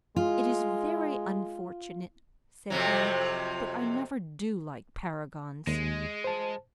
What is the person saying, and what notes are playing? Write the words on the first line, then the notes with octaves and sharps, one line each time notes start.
"It is very unfortunate," said he, "but I never do like Paragons."
G#3 F4
F2 C3 F#3
D#2 G#3
C5 A5